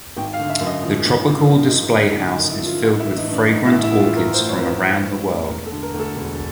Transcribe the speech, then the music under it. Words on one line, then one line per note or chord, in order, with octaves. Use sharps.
The Tropical Display House is filled with fragrant orchids from around the world.
G#1 G5
F5
D3
E5
F#2
D#5
F3
G#1
D3
F#2
D#4
F3
D#4
G#1
D#4
D3 D4
D#4
F#2
E4
F3
F4
A1 F4
E4
E3
D#4
G2
D4
A3 D#4
E4
A1
E4
E3
F4
G2 A#4
C5
A3
C#5
A1 A#4
B4
E3
G2
A3
E1 A#4
A4
D3
A#4
D2
A4
E1